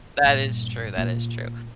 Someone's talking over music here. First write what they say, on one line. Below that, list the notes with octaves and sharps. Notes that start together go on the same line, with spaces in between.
That is true, that is true.
G2 A#2
A#2 A#3